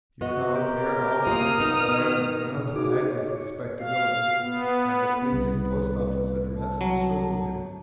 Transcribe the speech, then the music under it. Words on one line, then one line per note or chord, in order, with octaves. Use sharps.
You come up here all sanctified and vanoplied with respectability and a pleasing post office address to swindle him.
B3 F#4 D#5
G4 A#4
A#3 F4 D#6 F6
B3 D#4
D#3
B2
D#4 F#4 G#4 D6
D#5
C#5
F5
B3
C2 B4
A5
F#3